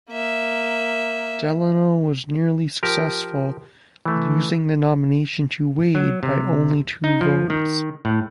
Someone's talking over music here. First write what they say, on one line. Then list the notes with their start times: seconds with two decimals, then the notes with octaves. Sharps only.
Delano was nearly successful, losing the nomination to Wade by only two votes.
0.11 A#3 E5
2.83 F3 G4 A#4
4.05 E3 A3
5.95 F#3
6.23 C3
7.04 D#4
7.21 F3
7.50 D#3
8.05 A2